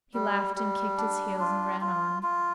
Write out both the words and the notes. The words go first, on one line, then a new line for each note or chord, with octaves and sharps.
He laughed and kicked his heels and ran on.
G3
G3
D4
F4
F4
F4